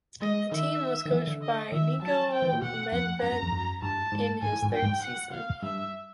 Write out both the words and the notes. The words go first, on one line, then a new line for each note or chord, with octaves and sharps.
The team was coached by Niko Medved in his third season.
G#3 D#5
D#3 E5
D#3
E3
D3
D#5
D#3 E5
F#3 A5
G5
E3
A#2
B2 F#5
F2 F#5
F#2 A#5
F#2
F2
F#2
G2 A5
G#2
G#2 G#5
A2
G#2
G2 G5
G#2
F#5
F5
G2 E5